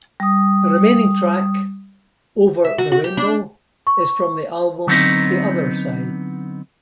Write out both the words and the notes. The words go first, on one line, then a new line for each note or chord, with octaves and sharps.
The remaining track, "Over the Rainbow", is from the album "The Other Side".
G3 D#6
E5
F#4
F#4
G4
D4
C#6
D3 F#3 B3 C4 D#4